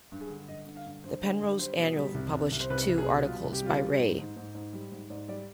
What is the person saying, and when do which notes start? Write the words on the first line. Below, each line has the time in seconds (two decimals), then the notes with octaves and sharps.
The "Penrose Annual" published two articles by Ray.
0.12 G2
0.21 G#4
0.30 D3
0.48 G2 D#5
0.67 D3
0.76 F5
0.86 G2
1.04 G2 C5
1.23 D3
1.41 G2
1.59 G3 C5
1.77 B2
1.96 G3
2.14 C2
2.33 C2
2.52 C2
2.61 C5
2.70 C2 B4
2.88 C2
2.98 G#4
3.07 B2
3.25 G3 F4
3.44 C2
3.53 G4
3.62 G3 F4
3.79 G3 G4
3.99 G#2
4.18 G#2
4.36 G#2
4.55 G#2
4.73 G3
4.92 G#2
5.10 G#2 D5
5.28 G3 D5